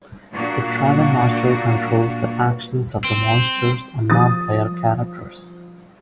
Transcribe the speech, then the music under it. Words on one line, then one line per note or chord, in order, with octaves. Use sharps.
The Dragon Master controls the actions of the monsters and non-player characters.
A#2 A#3 D4 F#4
C4
F3 D#6 A6